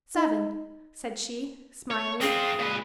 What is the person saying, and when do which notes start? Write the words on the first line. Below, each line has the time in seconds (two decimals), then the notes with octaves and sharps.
"Seven," said she, smiling.
0.16 D#4
1.91 C#5
2.21 C4 F4 G#4
2.60 A#2 B4